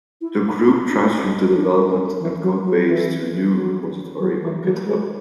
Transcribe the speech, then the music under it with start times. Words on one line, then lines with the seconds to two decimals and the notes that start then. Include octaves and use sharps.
The group transferred the development and codebase to a new repository on GitHub.
0.21 E4
0.65 C#4
0.87 D4
1.54 D4
1.87 C#4
2.20 E3
2.42 F#3
2.64 F#3
2.86 E3
3.53 F#3
4.19 F#3
4.41 E3
4.63 F#3
4.85 G#3